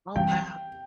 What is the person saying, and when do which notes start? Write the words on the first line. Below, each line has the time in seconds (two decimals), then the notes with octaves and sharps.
Oh, wow.
0.16 E3 G3 C4 G5